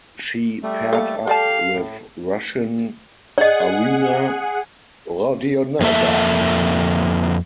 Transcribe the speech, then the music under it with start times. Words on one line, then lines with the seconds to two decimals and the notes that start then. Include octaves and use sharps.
She paired-up with Russian Arina Rodionova.
0.63 G3 A3
0.93 A#3 A4 F5
1.27 G3 G4 D5 F5 A5
1.74 A2
3.38 G#4 D5 D#5 F#5
5.81 F2 A#3 A4 E5